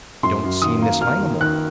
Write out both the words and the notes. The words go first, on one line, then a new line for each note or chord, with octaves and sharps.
"I don't see Miss Langmore."
F#2 C6
F#2
D#3 D#6
A#3
A#3 F6
D#3
D#3 F#6